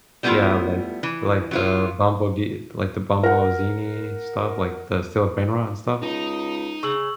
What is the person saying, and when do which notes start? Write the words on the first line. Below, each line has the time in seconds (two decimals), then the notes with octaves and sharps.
Yeah. Like like the Bumblebee uh, like the bumble zini stuff, like the Steal a Brainrot and stuff.
0.23 G3 A3 B3 C#4 E4 F4
1.03 E3
1.51 F#3 E4 F4
3.23 A#4 F#5
6.02 C#2 D#4
6.83 C#3 C#6 E6 F#7